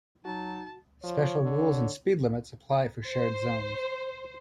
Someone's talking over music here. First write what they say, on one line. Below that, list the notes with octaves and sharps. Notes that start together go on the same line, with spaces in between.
Special rules and speed limits apply for shared zones.
F#3 D#4 F#4 A5
F3 C#5
D3
C5